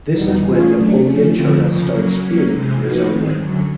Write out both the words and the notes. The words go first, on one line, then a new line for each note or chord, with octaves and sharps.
This is when Napoleon Chotas starts fearing for his own life.
E2 B2 G3 B3 D#4
E3 A3 C#4 F4 G#4
F#3 A3 D4
F3 A3 C#4
F2 D3 F3 A3 C4
F2 C#3 F3 A#3
C#3 F#3 A#3
F#3 A#3 C#4
C3 E3 G#3 C4
F3 A#3 D#4 F#4 B4
G#2 D#3 G#3 C4
F#2 D3 F#3